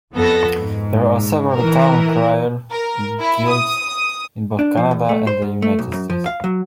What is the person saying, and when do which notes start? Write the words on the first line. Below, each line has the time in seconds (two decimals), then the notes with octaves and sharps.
There are several town crier guilds in both Canada and the United States.
0.13 F2 B3 A4 A#6
0.58 G#2
1.53 E3 A#4
2.71 A#4
3.20 E4
3.49 D#6
4.59 D4
4.77 F3
4.91 E2
5.09 A3
5.27 C5
5.42 G#2
5.62 A3
5.79 B1
5.94 F#2
6.10 F3
6.26 F5
6.44 F#3